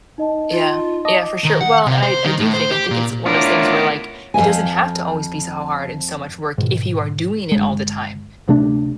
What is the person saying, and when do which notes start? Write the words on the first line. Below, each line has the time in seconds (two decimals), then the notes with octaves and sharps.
Yeah. Yeah, for sure, well, and I I do think, I think it's one of those things where, like, it doesn't have to always be so hard and so much work if you are doing it all the time,
0.18 D#4 D#5 A5
0.52 F4
1.05 D#5 A5 D6
1.44 D#3
1.61 F#5
1.86 C3
2.02 C5
2.25 D#3
2.39 A2
2.53 C5
2.71 G4
2.90 A#2
3.26 B3 D4 E4 F4 A#4 C#5
4.34 F2 F#3 E5 G#5
6.58 G#2 B2 D#3
7.52 G1 G#3
8.48 D1 C3 A3 D4